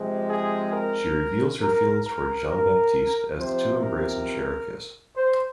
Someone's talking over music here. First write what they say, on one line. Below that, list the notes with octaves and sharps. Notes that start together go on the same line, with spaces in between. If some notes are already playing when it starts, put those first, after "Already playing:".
She reveals her feelings toward Jean-Baptiste as the two embrace and share a kiss.
Already playing: C3 F3 G#3 C4
G#4
A#4
A#4
A#4
A#4
C3 F3 C4 C5
A#4
C5